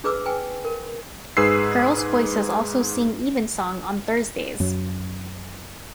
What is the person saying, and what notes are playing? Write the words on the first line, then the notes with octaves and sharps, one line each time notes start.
Girls' voices also sing evensong on Thursdays.
D4 G#4 B4 D6 E6
B4 G5 G#5
A#4
G#2 G#4 B4 E6 C7
F#2 F#3